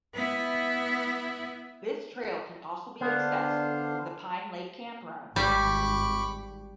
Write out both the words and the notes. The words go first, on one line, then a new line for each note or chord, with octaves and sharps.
This trail can also be accessed from the Pine Lake Campground.
B3 E4
D3 B3 D4 C5 F5
G#1 G3 B5 C#6 D6